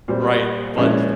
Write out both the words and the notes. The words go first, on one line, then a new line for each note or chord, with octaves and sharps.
Right. But d
A#2 G3 C4
A#2 F3 G#3 C#4 E4